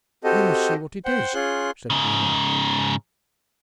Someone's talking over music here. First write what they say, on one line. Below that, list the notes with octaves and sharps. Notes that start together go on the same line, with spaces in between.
"We must see what it is," said Grimaud.
C4 F#4 G4 A4 D#5
C5 F#5 G5
C#4 F4 G#4 C6 F#6
G#2 C#3